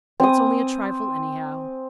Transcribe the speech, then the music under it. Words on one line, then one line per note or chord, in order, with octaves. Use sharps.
It's only a trifle, anyhow.
C4 G#5 D#6